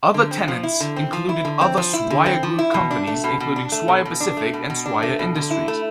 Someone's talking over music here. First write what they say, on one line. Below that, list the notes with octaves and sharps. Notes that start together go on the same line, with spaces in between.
Other tenants included other Swire group companies, including Swire Pacific and Swire Industries.
D3
C4
F3
E4
D3
C4
F3
E4
D3
C4
F3
E4
D3
C4
F3
E4
B2
D4
A3
B2
B2
D4
A3
B2
B2
D4
A3
B2
B2
D4
A3
B2
D3
E4
A3